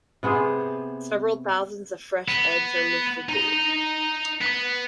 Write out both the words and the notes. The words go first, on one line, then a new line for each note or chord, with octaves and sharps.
Several thousands of fresh eggs are lifted daily.
C3 B3 G#4 C5
B3
D#4 A#5
B3